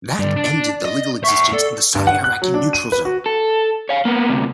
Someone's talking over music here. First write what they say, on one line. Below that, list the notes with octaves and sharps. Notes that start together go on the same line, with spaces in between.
That ended the legal existence of the Saudi-Iraqi neutral zone.
G2 D3 D5
D4
D#5
E5 F#5 C#6
A4 D5
G2
F#5
F#6
F#3
D4
D#7
B4
F#4
A4
C#5 F5
A#3 B3
D2 C3